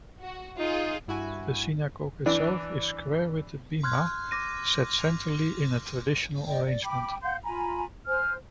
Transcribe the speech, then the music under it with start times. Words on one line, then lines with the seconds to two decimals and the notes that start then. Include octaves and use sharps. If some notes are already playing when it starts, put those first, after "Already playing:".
The Synagogue itself is square with the Bimah set centrally in a traditional arrangement.
0.21 F#4
0.59 D#4 F4 G#4
1.08 G2 E4 F#4 G#5
2.26 E3 D4
3.84 C6 F6 F#6 G#6
4.31 D6 A#6 D#7
6.47 D5 D#5 G5
6.67 D5
6.84 G5 B5 D6
7.22 F5 F#5 C6 G6
7.44 F4 G#5 A#5 B5
8.06 C5 G#5 F6